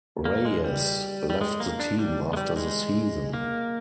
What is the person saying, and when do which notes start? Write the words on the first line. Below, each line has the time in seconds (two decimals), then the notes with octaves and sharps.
Reyes left the team after the season.
0.25 A#3
0.45 G#3
0.64 G3
1.30 G3
1.41 G#3
1.60 A#3
1.80 D4
1.99 G3
2.33 G#3
2.37 G3
2.56 G#3
3.33 A#3